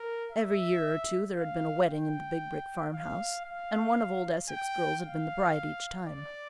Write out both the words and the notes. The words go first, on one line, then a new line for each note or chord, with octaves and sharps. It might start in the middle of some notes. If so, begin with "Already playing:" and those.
Every year or two there had been a wedding in the big brick farmhouse, and one of old Esek's girls had been the bride each time.
Already playing: A#4
E5
F5
G5
F5
F5
G5
F5
D5